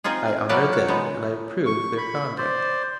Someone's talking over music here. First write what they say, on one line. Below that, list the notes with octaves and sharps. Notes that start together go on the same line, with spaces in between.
I honor them, and I approve their conduct.
C4 D#4 F4 G#4
A#2 F#3 F#4 A#4 B4 D5
F#4
G#3 B3 D#4
C#6
B5
C5 D5